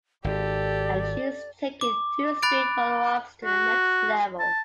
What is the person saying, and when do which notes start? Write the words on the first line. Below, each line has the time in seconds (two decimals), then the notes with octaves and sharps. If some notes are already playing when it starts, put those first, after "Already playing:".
And she's taken two straight follow-ups to the next level.
0.24 G#1 G4 A4 D5
1.81 D6
2.42 B5 F#6 A6 D7
3.45 F#4
4.39 A5